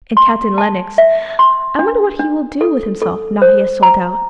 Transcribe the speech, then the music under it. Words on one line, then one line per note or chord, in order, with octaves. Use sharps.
And Captain Lennox--I wonder what he will do with himself now he has sold out!'
C6
A5
E5
C6
D4
D4
A4
A4
C5
A#5